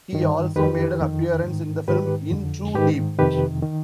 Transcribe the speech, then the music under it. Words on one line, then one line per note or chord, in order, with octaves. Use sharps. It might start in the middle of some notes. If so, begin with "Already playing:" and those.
He also made an appearance in the film "In Too Deep".
G2 D#3
F2 D#3 G4 B4
F2 D#3
G#2 D#3
G#2 D#3 G4 B4
F2 D3
G#2 D#3 G4 B4
F2 C3 D#3 G4 B4
D#3